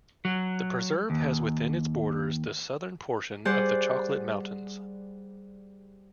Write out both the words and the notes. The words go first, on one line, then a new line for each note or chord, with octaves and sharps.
The preserve has within its boundaries the southern portion of the Chocolate Mountains.
F#3
D#2
G3 G#4 C5 D5 F#5 G6